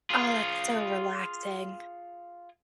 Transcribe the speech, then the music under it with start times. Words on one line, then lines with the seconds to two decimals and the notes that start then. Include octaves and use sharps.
Oh, that's so relaxing.
0.10 F4 G#4